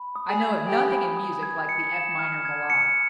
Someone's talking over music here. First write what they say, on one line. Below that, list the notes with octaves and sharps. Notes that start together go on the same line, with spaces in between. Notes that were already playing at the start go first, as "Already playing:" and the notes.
I know of nothing in music like the F minor Ballade.
Already playing: B5
D#6
G#4
G#6
G4 G#5
B5
D#6
G#6
C#7
E7
F6
G#6
C#7